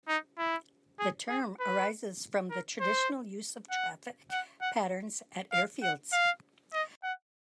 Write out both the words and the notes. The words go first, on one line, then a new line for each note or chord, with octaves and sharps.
The term arises from the traditional use of traffic patterns at airfields.
D#4
E4
G#4
G#4
B4
A#4
C5
F#5
F#5
F#5
F5
F#5
F5
D#5
F#5